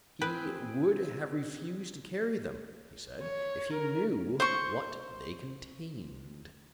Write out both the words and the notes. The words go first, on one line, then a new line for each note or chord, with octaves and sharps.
He would have refused to carry them, he said, if he knew what they contained.
C4 G#4 B4 G5
C#5
A#4
C5 C6 C#6